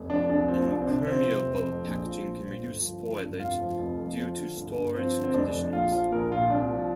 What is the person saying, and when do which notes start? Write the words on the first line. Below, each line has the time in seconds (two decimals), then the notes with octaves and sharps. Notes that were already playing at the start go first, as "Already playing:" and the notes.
Impermeable packaging can reduce spoilage due to storage conditions.
Already playing: F1
0.10 F2 D4
0.29 C2 D4
0.48 F3 C4
0.67 C2 D4
0.82 C4
0.87 C3 D4
1.07 F3 C4
1.26 C3
1.45 F1
1.65 F2
1.85 A#1
2.04 F3
2.24 A#1
2.43 A#2
2.63 G1
2.81 F3
3.02 G1
3.20 G2
3.39 F1 F4
3.59 F3
3.79 F1
3.98 F2
4.17 F3
4.37 D3
4.57 G1
4.76 G2
4.95 F3 C4
5.15 D3
5.24 C4
5.34 F1 D4
5.54 F2
5.73 A#1 F4
5.92 F3 F4
6.11 A#1 A#4
6.31 A#2 F4
6.50 C2 D4
6.70 F3